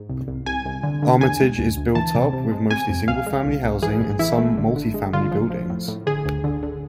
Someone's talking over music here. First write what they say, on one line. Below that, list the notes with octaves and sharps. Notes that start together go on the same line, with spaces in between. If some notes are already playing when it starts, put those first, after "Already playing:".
Armatage is built up with mostly single-family housing and some multifamily buildings.
Already playing: G#2
C2
C2
C2 G#5
C2
D3
D3
E2 G#5
G#3
D2
D2
E3 A5
C3
C3
G#3
C3 G#5
F2
C2 F5
G#3
C2
C2
E3 G#4
A2
E3 E4
A3
D3
D3
G#3
D3 F4
F3
F3
A2
A2
D3 G#4
D2
D3
D3